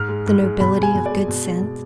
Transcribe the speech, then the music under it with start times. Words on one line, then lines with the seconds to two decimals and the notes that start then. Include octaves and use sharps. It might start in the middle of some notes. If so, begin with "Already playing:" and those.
The nobility of good sense.
Already playing: G#2 F6
0.09 G#3
0.27 G#2
0.43 G#3
0.60 B2 B5
0.77 G#3
0.83 G#5
0.95 B2
1.06 G#3 D5
1.28 B2
1.45 G#3
1.62 B2